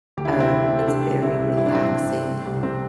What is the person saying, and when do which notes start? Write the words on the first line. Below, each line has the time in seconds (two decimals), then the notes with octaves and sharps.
um, it's very relaxing,
0.17 D2 G4
0.25 E4
0.33 A3 D4
0.40 C4 E4
0.52 C3
0.70 A3
0.79 A4
0.87 C3 D4 G4
1.05 G3
1.22 C2 C4 E4
1.40 C3
1.57 G2 E4
1.66 D4
1.74 G2 C4
1.83 D4
1.93 G2
2.10 A3
2.28 G3
2.45 C2
2.63 C3 C4